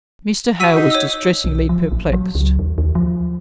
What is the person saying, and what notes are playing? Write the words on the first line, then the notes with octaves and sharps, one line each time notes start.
Mr. Hale was distressingly perplexed.
F#4 E6 B6 D#7
D#4
C#5 E6
B1
F3
A#1
F#3
C#2
D#2
D#2
F3